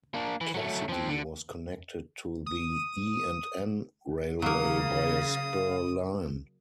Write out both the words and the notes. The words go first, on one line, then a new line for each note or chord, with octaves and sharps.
Cassidy was connected to the E and N Railway by a spur line.
A#3 D4
E3
F#3 A3
F3 C4
D3
D#6
C#3 F#3 A#3 F5 D#6